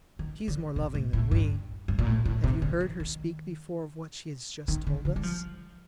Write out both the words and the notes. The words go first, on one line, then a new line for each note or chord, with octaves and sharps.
She is more loving than we.... Have you heard her speak before of what she has just told us?
D#3
D3
C3
A2
A2
G2
G2
A#2
A2
A2
C3
D3
D#3
D#3
D#3
D3
D3
G3
F3